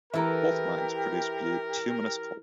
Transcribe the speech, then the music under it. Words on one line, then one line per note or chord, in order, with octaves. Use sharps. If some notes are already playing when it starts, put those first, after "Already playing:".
Both mines produce bituminous coal.
E3 E4 G4 A4 A#4 A#5